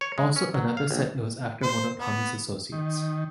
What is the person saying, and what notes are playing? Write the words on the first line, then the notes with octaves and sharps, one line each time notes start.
Also another said it was after one of Tommy's associates.
C#5
G#3
C#4
F#3
F5
A#1
C5
B3
D#3